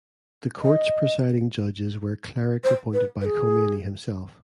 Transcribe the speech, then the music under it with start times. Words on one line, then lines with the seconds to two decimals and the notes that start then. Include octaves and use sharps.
The courts presiding judges were clerics appointed by Khomeini himself.
0.62 D#5
2.64 C5
2.93 B4
3.21 B4
3.25 G#4